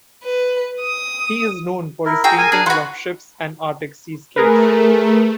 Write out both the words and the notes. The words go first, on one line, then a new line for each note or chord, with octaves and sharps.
He is known for his paintings of ships and Arctic seascapes.
B4
D#6
E4 A#4
F#4 G#4 G5 A#5 E6
A#4 G#5
D4 G#4
F4 F#4 B4 F#5 C6
A3 G#4 A#4 B4